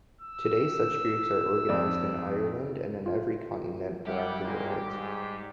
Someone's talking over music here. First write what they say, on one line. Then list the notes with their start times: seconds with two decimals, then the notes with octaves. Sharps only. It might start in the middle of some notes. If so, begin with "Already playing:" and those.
Today such groups are organised in Ireland and in every continent around the world.
0.21 E6
1.69 F2 D5
3.06 F4
4.07 G3 E4 G4 F5 F#5
4.44 A#2 G#3 A#3
4.86 G#2